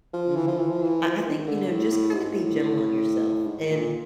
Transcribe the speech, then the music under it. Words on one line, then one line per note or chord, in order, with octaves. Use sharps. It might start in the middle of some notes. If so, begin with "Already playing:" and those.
mhm, I I think, you know, just kinda be gentle on yourself, and
F3
E3
F3
E3
F3
E3
F3
E3
D#3
D3
A2
A2
G#2
A2
G#2
A#2